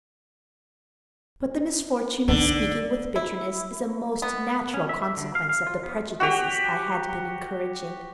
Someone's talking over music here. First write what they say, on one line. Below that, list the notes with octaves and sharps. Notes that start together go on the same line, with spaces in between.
But the misfortune of speaking with bitterness is a most natural consequence of the prejudices I had been encouraging.
D3 A#3 D#4
E4
B3
C#4
E5
E5
D3
F5
F5
F4
B3
F#4 G4